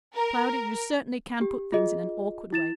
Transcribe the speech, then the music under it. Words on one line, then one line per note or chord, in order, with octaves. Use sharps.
Cloudy, you certainly can put things in an awkward way.
A#4
G4
F4 G#4 D#5
E4 A6 E7